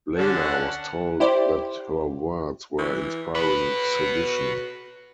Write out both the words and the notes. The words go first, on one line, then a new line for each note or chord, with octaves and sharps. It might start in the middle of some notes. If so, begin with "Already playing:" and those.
Leyla was told that her words were inspiring sedition.
D3 C#4 D4 F#5 A5
E4 G4 C5 D5
E3
F#4 B4 B5